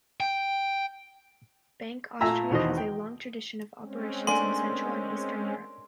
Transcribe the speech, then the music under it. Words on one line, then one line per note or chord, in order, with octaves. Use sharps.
Bank Austria has a long tradition of operations in central and eastern Europe.
G5
A#2 A3 E5 G#5 A#5 E6
E2 B2 D#3 C4 D#5
G5
G#3 C4 C#4
A3 A#3 D4 G#5 C6 D7